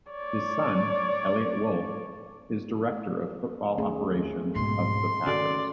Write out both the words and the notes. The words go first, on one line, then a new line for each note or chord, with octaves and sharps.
His son, Eliot Wolf, is Director of Football Operations of the Packers.
C#5 D5
D#2 A3 C#4 G#4
G#2 B2 C6
D#3 C#4 F#4 A4 D5